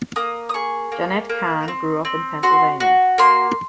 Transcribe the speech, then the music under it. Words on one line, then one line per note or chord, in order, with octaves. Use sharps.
Jenette Kahn grew up in Pennsylvania.
A#3 D#6
D#6
G#4 C#6
A#3
A#3
C4
C4
F#4 C6
F#4
A#3 C6